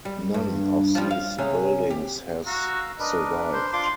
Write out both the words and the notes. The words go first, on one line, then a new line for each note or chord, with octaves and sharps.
None of these buildings has survived.
G3
G2
F3 G3
F5
C3 C#4 G#4
G4
F#4 F5 A#5 E6
D4 A#4 B4 D#5
C5
D4 F4 C6 D6